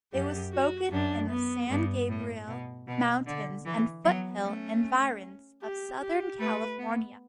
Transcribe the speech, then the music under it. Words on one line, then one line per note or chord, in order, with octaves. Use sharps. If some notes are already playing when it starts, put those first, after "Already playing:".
It was spoken in the San Gabriel Mountains and foothill environs of Southern California.
F#2 G4
F#4
F#2 D4
B3
G2 B3
A2
B2
B2
D3
E3
F#3 B3
A3 C#4
G4
G4
A3 B4
B3